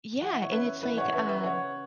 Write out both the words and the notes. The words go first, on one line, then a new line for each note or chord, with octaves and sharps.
Yeah, and it's like um,
E3 F#5
E5
C#5
C#4 B4 E5
E3 B4 E5
C#5 F#5
C#4 B4 E5
B4 E5
C#3 C#5 F#5